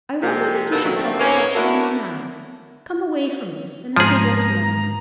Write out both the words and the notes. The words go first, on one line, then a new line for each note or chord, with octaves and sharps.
I wonder that you should talk of such things now. Come away from this, and let me go to my room.
C3 F3 G3 G#3 A#3
G2 B2 B3 A4 A#4
A#2 D#3 E3 F#3
D3 D#3 G3 A3 C4
G#2 G#3 A#3 B3 C#4
A3 A#3 D4 E4 F#4 A#4
G#2 F3 G#4 A#5